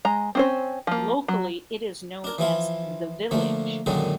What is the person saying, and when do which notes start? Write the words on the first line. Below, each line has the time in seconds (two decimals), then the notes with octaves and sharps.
Locally, it is known as 'The Village'.
0.05 G#3 A#5
0.35 C4 C#4 C5
0.87 F3 A#3
1.28 F#3
2.24 D4 A#4
2.38 E3 F3 E4 F4
3.31 D3 F3 A3 A#3
3.86 F#2 A#2 D3 D#3 F#3 G#3